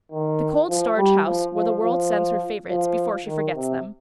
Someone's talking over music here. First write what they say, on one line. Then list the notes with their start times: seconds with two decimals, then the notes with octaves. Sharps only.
The cold storage house where the world sends her favorites before she forgets them.
0.12 D#3
0.69 F3
0.97 G3
1.26 F3
1.54 F3
1.83 F3
2.69 F3
3.25 D#3
3.54 C3